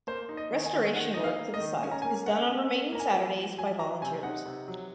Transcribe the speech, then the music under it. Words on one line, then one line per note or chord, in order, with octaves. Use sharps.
Restoration work to the site is done on remaining Saturdays by volunteers.
A#3 C5
D#4
D#5
D#3
G#5
D#3
D#3 F#5
D#4 D#5
F5
A#3
D#5
D#3
C#4 G#5
A#5
A#3 G#5
C#4 F#5
C#4
A#3
A#3 A#5
G#5
F3
F3
F#3 G#5
F#3 A#5
C3 G#5
D#4 F#5
C3
F#3